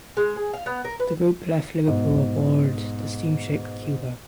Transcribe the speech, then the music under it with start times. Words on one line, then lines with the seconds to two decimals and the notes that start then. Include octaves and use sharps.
The group left Liverpool aboard the steamship "Cuba".
0.17 G#3
0.36 G#4
0.53 F5
0.66 B3
0.85 A#4
1.00 B4
1.87 G#2 B2